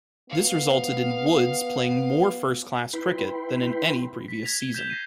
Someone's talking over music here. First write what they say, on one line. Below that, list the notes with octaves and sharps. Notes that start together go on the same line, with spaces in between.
This resulted in Woods playing more first-class cricket than in any previous season.
B3 F5
E4 B4 G5 B5 C6
B6
G#6 A#6 B6 F7
G7
G6 A#6 E7 F7 G7
A#6 C7 D#7